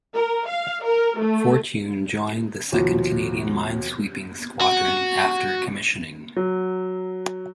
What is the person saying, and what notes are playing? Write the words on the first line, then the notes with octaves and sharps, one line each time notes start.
"Fortune" joined the Second Canadian Minesweeping Squadron after commissioning.
A#4
F5
A#4
A3
D#2 B2 F3
F#4
F#3